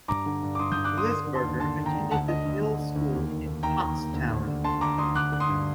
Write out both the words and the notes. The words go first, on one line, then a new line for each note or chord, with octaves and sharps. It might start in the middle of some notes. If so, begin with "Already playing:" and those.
Lisberger attended The Hill School in Pottstown.
G2 A#5 D6
D3
G2
D6
G2 C6 D#6
D#6 G6
G2
D6 F#6
D3 C6 D#6
D3 C6 D#6
D3
A5 C6
D#2
D3 A5 C6
D#2
G5 A#5
D3
D2 F#5 A5
D3 D#5
D2
D3
D3
D2
D#2
D#3
D#2
D#2 G5 A#5
D#2
D#2
D2
D2
D3
D2 A5 C6
D2 A#5 D6
D2 C6 D#6
D3 D6 F#6
D3 F#6
C6 D#6
G2